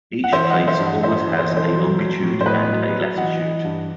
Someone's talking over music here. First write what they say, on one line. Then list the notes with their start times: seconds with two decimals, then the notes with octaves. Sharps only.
Each place always has a longitude and a latitude.
0.24 F#5
0.32 E3 C5 E5
0.50 D#5 F#5
0.56 E3
0.68 C5 E5
0.79 G2
0.86 D#5 F#5
1.03 G2 C5 E5
1.27 E3
1.39 C5
1.48 E3 D#5
1.57 A4 C5
1.75 F#3
1.98 F#3
2.23 A2
2.41 C5
2.46 A2 B4 D#5
2.70 F#3
2.94 F#3
3.17 E3 D#5 F#5
3.41 E3
3.64 G2